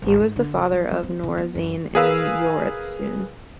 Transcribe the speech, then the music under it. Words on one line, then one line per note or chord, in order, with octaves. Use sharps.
He was the father of Norizane and Yoritsune.
G#1
G#2
D3
C2
F#3
F#3
C4
D#3
B3
F#2
G#4 A#4 B4 F5 G#5 E6